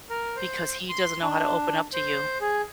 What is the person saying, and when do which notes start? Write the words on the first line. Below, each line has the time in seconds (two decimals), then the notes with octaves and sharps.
because he doesn't know how to open up to you.
0.10 A#4
0.36 C5
0.89 C6
1.22 D4
1.93 C5
2.41 G#4